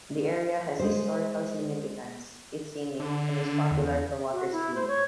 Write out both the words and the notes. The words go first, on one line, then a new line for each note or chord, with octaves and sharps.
The area has historical significance, is scenic and is popular for water skiing.
G#3 C5
D3
E2
F#4
E4
C5
C#5